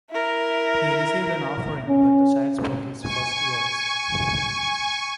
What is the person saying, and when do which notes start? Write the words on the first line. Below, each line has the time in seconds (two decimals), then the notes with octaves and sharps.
He received an offering when the child spoke its first words.
0.10 E4 A#4
1.89 C#4
3.01 G#5 C#6